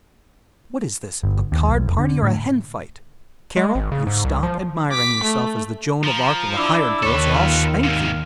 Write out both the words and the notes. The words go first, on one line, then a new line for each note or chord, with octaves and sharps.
What is this, a card party or a hen fight? Carol, you stop admiring yourself as the Joan of Arc of the hired girls, or I'll spank you.
G1
D#2
B1
F1
D3
A2
G#3
G#1
C#3
G#2
C2
F3
D6 B6
A3
F3 A#5
D4 E4 D6 E6
D#2 D#3 A4 B4 C#5
F4 E6
G#2 C3 F5